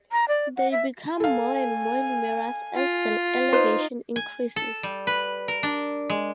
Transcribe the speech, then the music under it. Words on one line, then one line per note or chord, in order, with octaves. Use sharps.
They become more and more numerous as the elevation increases.
A#5
D5
F#5
E5
A4 F5 G#5
F4
D#4 B4 C5
G#5
A4
G3
B4
A#4
D4
G#3